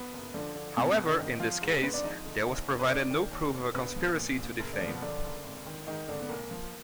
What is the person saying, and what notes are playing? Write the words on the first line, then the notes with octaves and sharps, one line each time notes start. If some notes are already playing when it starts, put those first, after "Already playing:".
However, in this case, there was provided no proof of a conspiracy to defame.
Already playing: B3 B4
F#1
D3 F3 D4
D3 D4
F2 B2 B3
B2 B3
F#1
D3 D4
G#1 D#3 D#4
F3 F4
G#2
G#3 G#4
G#1 B3 B4
D4 D5
F3 D#4 D#5
D3
D#2
F1
B4
F1 D4 D5
D#3
D#2
F1
A#1 B3 B4
F3
A#2
A#1
F#1
D3 D4
F3
B2 B3
F#2 D3 D4
F#1
G#1
D#3
G#2 D#3 D#4
G#1 D3 D4
B3
B1 A#3
F3